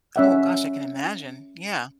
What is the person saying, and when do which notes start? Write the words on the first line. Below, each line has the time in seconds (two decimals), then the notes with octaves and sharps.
Oh gosh, I can imagine. Yeah.
0.16 C#4 E5 F#5